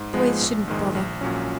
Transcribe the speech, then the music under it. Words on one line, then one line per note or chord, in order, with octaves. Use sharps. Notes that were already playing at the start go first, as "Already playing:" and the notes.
Boys shouldn't bother.'
Already playing: G#2
F3 G#3 B3
A#1
G#2 D#3 G#3
A#1
A#2 F#3 C#4